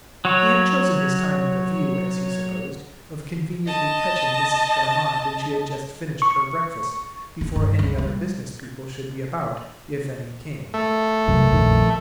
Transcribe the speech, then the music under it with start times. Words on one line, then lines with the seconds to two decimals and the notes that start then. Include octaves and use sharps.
He had chosen his time with a view, as he supposed, of conveniently catching Mrs. Charmond when she had just finished her breakfast, before any other business people should be about, if any came.
0.25 F#3 C#5
3.66 D#5 A5
6.22 C#6
7.41 D4
7.56 G2
7.79 C#2
7.98 G3
10.74 A3
11.28 C2 F#2
11.51 A#1 F2 D#3